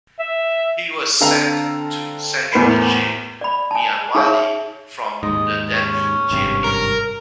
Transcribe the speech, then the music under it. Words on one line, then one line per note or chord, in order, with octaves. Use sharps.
He was sent to Central Jail Mianwali from the Delhi jail.
E5
D3 C4 A4 F5 A#5 F7
E2 A2 A#4 C5 B5 C7
D5 B5
G#5 A5
D#4 G#4 C#5 E5
D#2 G#2 D#5
C#4
G#1 G2 C3
A#4